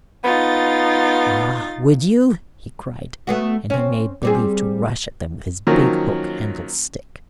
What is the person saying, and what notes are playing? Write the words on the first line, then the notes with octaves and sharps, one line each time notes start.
"Ah, would you?" he cried; and he made believe to rush at them with his big hook-handled stick.
B3 D#4 F4 A6
A3 B3 F#4
C4 C#4
G3 C4 G#4
D#3 F3 F#3 A#3 C#4